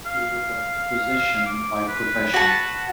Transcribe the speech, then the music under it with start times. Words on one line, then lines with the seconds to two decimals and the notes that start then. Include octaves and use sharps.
He was a physician by profession.
0.06 F5
1.47 D6
1.88 B4
2.34 F#4 A5